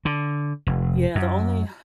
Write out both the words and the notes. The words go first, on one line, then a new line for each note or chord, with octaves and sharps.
Yeah the only
D3
F1
F#2